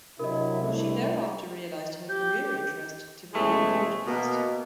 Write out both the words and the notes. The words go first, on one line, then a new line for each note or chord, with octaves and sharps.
She thereafter realised her career interest to be in broadcasting.
C3 F#3 D4 E4 A#4 D#5
C2 A3 D4 E4
G4 G6
E2 C3 E3 G#3 A3 C#4
B2 A#3